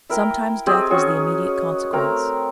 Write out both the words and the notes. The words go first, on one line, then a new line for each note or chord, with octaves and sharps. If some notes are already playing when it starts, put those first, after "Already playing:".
Sometimes death was the immediate consequence.
E4 A#4 G5
C4 G4 G#4 D#5
C#4 F#4 G#4 C#6
A3 C4 A#4 A#5